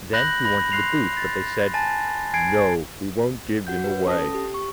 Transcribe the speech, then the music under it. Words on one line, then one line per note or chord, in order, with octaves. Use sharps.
Then he wanted the boots, but they said, 'No, we won't give them away.
B5 F#6 G6 A#6 F#7
B5 A#6
C6 F#6 C7 F7
A6
G#5 A5 A6
G#5 G#6 C7 D7
F#4 F#5 G6
B4
C#4 A4 A5 D#6 A#6
G4
C#6